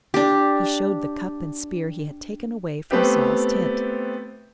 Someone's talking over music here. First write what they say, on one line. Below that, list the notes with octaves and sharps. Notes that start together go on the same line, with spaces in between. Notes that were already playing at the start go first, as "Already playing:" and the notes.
He showed the cup and spear he had taken away from Saul's tent.
D4 G4
A3 B3 C4 G4